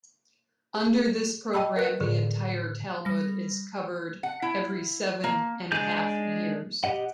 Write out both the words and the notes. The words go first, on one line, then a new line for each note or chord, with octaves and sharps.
Under this program, the entire Talmud is covered every seven and a half years.
G#4
D#5 G5 A5 B5 E6
A#4 B4 F#6
A2 D3 G#4
G3 A#6
F#5
E4
A#3
G#3 D4 G#4 D5 G6
G4 D#5 F#5